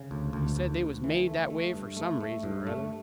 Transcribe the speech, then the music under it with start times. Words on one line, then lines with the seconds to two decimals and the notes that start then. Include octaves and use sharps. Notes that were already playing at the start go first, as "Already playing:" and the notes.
He said they was made that way for some reason or other.
Already playing: C#3
0.11 D2
0.33 D2
0.56 D2
0.81 D2
1.04 E3
1.27 A3
1.50 A3
1.74 G2
1.97 A3
2.21 A3
2.43 G2
2.67 A3